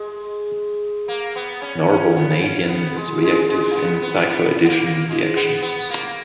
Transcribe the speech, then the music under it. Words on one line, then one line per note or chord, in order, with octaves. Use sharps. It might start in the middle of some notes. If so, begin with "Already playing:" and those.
Norbornadiene is reactive in cycloaddition reactions.
Already playing: G#3
A#3
B3
C#4
C#4
B3
C#4
B3
G#3
G#3
G#3
A#3
B3
B3
B3
B3
A#3
G#3
B3
B3
A#3